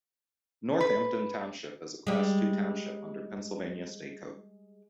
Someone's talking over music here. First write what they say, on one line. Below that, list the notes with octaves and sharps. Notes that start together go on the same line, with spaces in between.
Northampton Township is a class two township under Pennsylvania State Code.
B4
G3 G#3